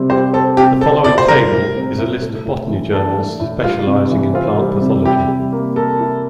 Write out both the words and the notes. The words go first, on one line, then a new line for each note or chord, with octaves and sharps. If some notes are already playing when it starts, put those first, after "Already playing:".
The following table is a list of botany journals specializing in plant pathology.
Already playing: C3 G3 C4
G4 C5
C4 A4
C3 G4
C4 A4
A2 D5
C5
G3 A#4
A2
C4
A2
A3
A2
E3
D4 A4
A3
A2
G3 F4
C3
E3
C4 F4
G3
C3
E4 G4
G3
A#3
A4 A#4
E4